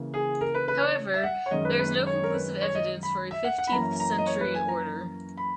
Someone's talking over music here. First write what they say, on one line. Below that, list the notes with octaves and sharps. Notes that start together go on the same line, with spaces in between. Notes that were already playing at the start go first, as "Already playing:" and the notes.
However, there is no conclusive evidence for a fifteenth-century order.
Already playing: C#3 E3 A#3
G#4
A#4
B4
B4
C#5
E5
F#5
C#5
F#2 D#3 G#3 C#4 D#5
B4
B4
C#5
A#4
B4
C#5
D#5
B5
E5
F#5
F#5
B5
F#2 E3 A#3 C#4 A#5
A#5
D#5
C#5
B4
G#5
A#5
B5